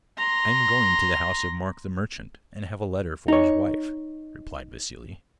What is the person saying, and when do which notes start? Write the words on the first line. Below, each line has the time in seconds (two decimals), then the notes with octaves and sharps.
'I am going to the house of Mark the Merchant, and have a letter for his wife,' replied Vassili.
0.18 A#5 C6
3.28 D#4 C#5